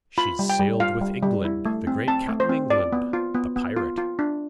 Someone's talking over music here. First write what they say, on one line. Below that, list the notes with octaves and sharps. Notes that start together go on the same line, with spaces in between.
She's sailed with England, the great Cap'n England, the pirate.
F4 B5
G3
G5
G3
F4 F5
G3
G3
E4
A3
C4
C4 A5
A3
C5
C4
F4 D5
B3
F4
B3
B3
F4
F4
D4